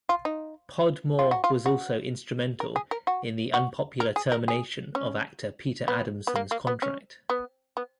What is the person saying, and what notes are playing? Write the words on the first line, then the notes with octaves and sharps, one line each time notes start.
Podmore was also instrumental in the unpopular termination of actor Peter Adamson's contract.
F4
D#4
F4
F#4
F4
F#4
A#4
G#4
A#4
F#4
F#4
A#4
G#4
A#4
G#4
C#4
B3
B3
A#3
A#3
B3
C#4
B3
B3